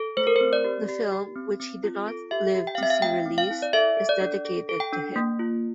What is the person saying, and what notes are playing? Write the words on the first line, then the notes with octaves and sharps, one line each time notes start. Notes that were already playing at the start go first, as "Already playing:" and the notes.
The film, which he did not live to see released, is dedicated to him.
Already playing: A4
A3 C5
A#4
C5
C4
D5
G4
G4
G4
C4
C4
F4
A4
G4 E5
G4
G5
F5
C4 E5
F5
A3 G5
C4
F5
E4
D5
A4 E5
A4
D5
D4
A4
A4
G5
D4
A#3
F4